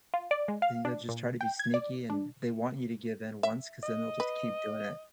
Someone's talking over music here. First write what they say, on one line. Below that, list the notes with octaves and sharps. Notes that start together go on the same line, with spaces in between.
and they'd just try to be sneaky and they want you to give in once 'cause then they'll just keep doing it.
F4
D5
G#3
F5
D4
A#2
G5
G#6
D5
D4
E5
D#5
B4